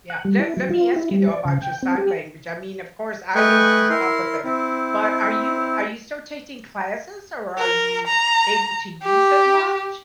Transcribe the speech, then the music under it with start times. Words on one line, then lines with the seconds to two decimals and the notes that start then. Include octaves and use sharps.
Yeah. Let let me ask you, though, about your sign language. I mean, of course, I didn't keep up with it, but are you are you still taking classes, or are you able to use it much?
0.10 F#5
0.25 G3
0.39 E4
0.57 F#3
0.70 F4
0.96 E4
1.11 G3
1.28 D5
1.45 C#3
1.62 G5
1.82 C4
1.98 G4
3.35 A3 B4 D#5 G5 G#5 C#6
3.90 E4 A#4 C6
4.45 C4 E4
7.58 A#4
8.07 A#5
9.03 G4